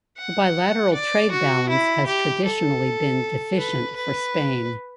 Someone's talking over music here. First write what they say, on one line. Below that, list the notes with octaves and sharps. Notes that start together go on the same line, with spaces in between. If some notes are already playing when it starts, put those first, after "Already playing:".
The bilateral trade balance has traditionally been deficient for Spain.
F#5
D5
F#4
E4
G4
A4
B4
B4